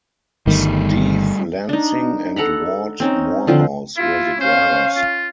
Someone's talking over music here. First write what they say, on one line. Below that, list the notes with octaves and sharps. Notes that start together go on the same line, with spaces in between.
Steve Lansing and Ward Morehouse were the drivers.
G1 D#3 G3 A3
D4 D#4
A4 F#5 A#5 B5
C4 C#4 D#4
D3 F3 C4 F4
E4 F4
C#4 C5 F5
F4